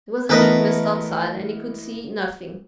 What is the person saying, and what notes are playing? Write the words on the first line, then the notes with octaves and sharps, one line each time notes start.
There was a thick mist outside and he could see nothing.
E3 A3 B3 A#4 B4 D#5